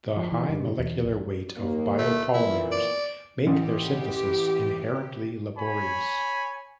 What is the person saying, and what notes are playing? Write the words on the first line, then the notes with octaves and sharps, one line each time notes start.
The high molecular weight of biopolymers make their synthesis inherently laborious.
F3
E3
G2
E2
A#1
D#2 A#3
A3
A#2 E3 B3 E4
D5
A1 E3 G4
C#5 G#5 B5